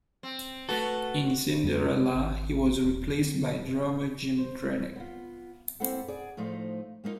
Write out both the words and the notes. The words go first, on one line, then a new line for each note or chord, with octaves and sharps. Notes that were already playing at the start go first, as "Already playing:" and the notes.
In Cinderella, he was replaced by drummer Jim Drnec.
C4
A3 F#4 A4 B4
F2 G3 B3
C3
G#1
D#1
D3 C4
C5
B3 F4
A#3 C4 E4 A4 F#5
G#4 D5
A2 F3 A3 D#4 C5 F5
G#3 A#3 C4 D#4 F4